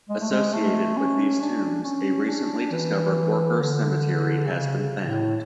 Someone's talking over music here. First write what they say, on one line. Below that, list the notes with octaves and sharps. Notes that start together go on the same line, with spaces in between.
Associated with these tombs a recently discovered workers cemetery has been found.
G#3
A3
G#3
A3
C#4
D4
C#4
D4
E3
D3
C#3
A2